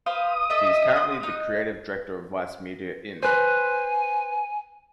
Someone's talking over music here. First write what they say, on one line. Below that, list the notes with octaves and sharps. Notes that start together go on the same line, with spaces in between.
He is currently the creative director of Vice Media, In.
B4 C5 F5 D#6
A4 D#5 E5
F#5 C6
D#4 F6 F#6
B4 C5 G#5